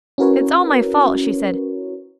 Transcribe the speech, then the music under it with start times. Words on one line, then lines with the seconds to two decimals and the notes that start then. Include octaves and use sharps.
'It's all my fault,' she said.
0.18 C#4 E4 F#4 A#4 B4 C#5